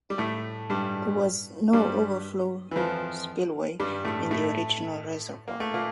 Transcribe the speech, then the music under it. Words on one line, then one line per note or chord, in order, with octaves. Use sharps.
There was no overflow spillway in the original reservoir.
G3
A2 A3
G2 G3
G2 G3
E3
F2 F3
G2 G3
A2 A3
A2 A3
A#3
A3
A#2 A#3